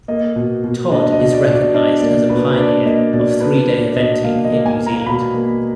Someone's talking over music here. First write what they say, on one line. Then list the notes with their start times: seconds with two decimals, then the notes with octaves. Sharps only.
Todd is recognized as a pioneer of three-day eventing in New Zealand.
0.08 A#3 D#5
0.36 B2
0.64 B2
0.92 D4 D#5
1.12 D#5
1.19 B2
1.32 D5
1.47 B2
1.53 D5
1.74 D4 D#5
2.02 A#3 D5
2.30 B2 B4
2.57 D4 D5
2.85 A#3 D#5
3.13 B2 D5
3.40 D4 B4
3.69 A#3 D5
3.96 B2 D#5
4.24 A#3 F5
4.45 D#5
4.52 A#3
4.66 G#5
4.79 A#3
4.86 A#5
5.06 B2 B5
5.34 A#3